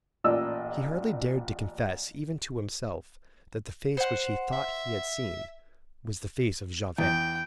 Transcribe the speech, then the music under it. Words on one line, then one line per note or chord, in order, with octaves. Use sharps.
He hardly dared to confess, even to himself, that the face which he thought he had seen was the face of Javert.
A1 A#2 D5 D#5 E6
C5 F#5
E5
E2 G5